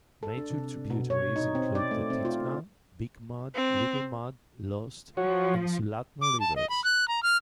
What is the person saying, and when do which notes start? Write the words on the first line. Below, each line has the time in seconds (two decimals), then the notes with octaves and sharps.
Major tributaries include the Titna, Big Mud, Little Mud, Lost, and Sulatna rivers.
0.23 A4
0.38 D4
0.50 C3
0.90 B2
1.10 C#5
1.36 D#4
1.55 C4
1.75 D5
1.91 A3
2.10 C4
2.25 F4
3.55 C4
5.17 F3 F#4 C#5
6.21 D6
6.40 A5
6.56 D#5
6.70 B5
6.84 F#6
7.08 A#5
7.23 F6